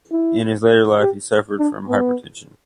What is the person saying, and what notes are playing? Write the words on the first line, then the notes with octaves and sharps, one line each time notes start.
In his later life he suffered from hypertension.
E4
G4
D4
B3